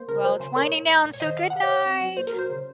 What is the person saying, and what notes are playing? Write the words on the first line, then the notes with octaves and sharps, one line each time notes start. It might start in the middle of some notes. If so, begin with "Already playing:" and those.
well, it's winding down, so good night.
Already playing: A#3 C5
C#3 A#4
F#3 C5
C#3 C5
A#2 A#4 C#5
A#2
G#3
A#2
C#5
D#3 C5 D#5
D#3 F5
C3 F#5
C#5 F5
C3
C4
F#3
A#2 C5
A#4
F#3
C5
C#3